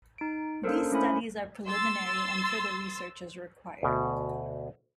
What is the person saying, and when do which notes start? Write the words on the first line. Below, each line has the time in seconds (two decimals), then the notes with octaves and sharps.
These studies are preliminary and further research is required.
0.18 D#4 D7
0.64 A#3 C#4 D4 A4 A#4 C5
0.92 A3 C#4 E4 C5 G#5 B5
1.67 C6 E6 A6
3.83 D2 B2